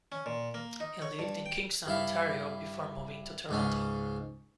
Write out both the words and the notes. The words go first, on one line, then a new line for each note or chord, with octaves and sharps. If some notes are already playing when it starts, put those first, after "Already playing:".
He lived in Kingston, Ontario, before moving to Toronto.
C#4
A#2
A#3
D#4
C#5
G2
G5
G2 E4 F5
C#2 G#2 C#4